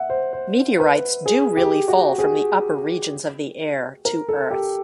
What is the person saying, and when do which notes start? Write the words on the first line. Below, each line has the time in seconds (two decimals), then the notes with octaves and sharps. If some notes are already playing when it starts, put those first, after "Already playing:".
Meteorites do really fall from the upper regions of the air to earth.
Already playing: E5 F#5
0.10 C5
0.33 C5
0.80 B4
1.26 G#4
1.57 G4
1.88 F#4
2.18 G#4
4.05 A#4
4.29 A4
4.51 G4